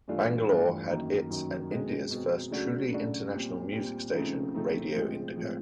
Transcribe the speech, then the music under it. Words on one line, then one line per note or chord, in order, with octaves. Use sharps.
Bangalore had its and India's first truly international music station Radio Indigo.
G2 E3 A3 D4 F4
G2 E3 A3 D4 F4
F#2 D#3 F#3 A#3
F#2 D#3 F#3 A#3
B2 G#3 C4
B2 G#3 C4
C#3 F#3 A3 D4 F#4
C#3 F#3 A3 D4 F#4
A#2 G3 C4
A#2 G3 C4
C#3 F3 A3 C4 D#4
C#3 F3 A3 C4 D#4
A2 F3 G#3 C4
A2 F3 G#3 C4